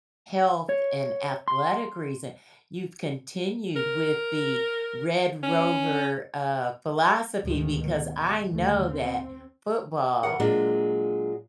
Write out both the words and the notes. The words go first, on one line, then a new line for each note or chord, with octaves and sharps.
health and athletic reason, you've continued with the Red Rover, uh, philosophy because I know that football
C#5
C6
A#4
C#4
D2 G#2 C3 D#3
B2
D#2 D3 A3
C4
E3 A#4 F#5
A#2 F#3 G#3 A#3 D4 F4